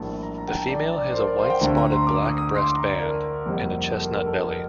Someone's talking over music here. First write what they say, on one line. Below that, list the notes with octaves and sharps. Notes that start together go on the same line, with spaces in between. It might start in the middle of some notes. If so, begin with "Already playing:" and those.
The female has a white-spotted black breast band and a chestnut belly.
Already playing: A#1 A2 G3 A#3 A5
A#5
A#5
G5
A5
D5
D5
C5
A#4
D5
C5
F5
G5
D2 D3 A3 C4 A#5
A#5
C6
D6
D#6
D#6
C6
D6
A#5
D5
A#4
F1 F2 C3 G3 A#3
A4
A#4
A#4
A4